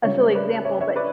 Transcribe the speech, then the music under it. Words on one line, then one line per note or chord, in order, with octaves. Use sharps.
a silly example, but
C#2 C#3 G3 C#5 E5
B4 D5
C#5 E5
C#5 E5
B4 D5